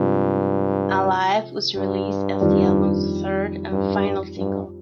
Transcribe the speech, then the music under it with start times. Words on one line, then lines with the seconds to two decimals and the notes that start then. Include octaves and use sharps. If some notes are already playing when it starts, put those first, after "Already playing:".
"Alive" was released as the album's third and final single.
Already playing: G2 C3 F3 G#3 C4
1.77 G2
2.41 F2 D#3 G3 D4
3.72 G2
4.37 G2